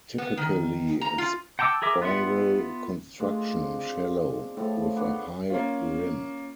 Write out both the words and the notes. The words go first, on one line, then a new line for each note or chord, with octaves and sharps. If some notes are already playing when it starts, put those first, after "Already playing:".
Typically of spiral construction, shallow, with a high rim.
B3
D#3
A#5
F4
F#5 G5 A5 D6 E6
G#4 A#4 E5 D6
B3 F4 E5 F#5
G#3 A3 D4 F4
C4
A2 F3 A3 A5
B3 D4 C#5
A#3 C#4 F4